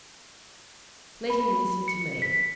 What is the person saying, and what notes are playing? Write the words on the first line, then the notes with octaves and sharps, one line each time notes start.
Let him listen to me.
B5
C#7
B6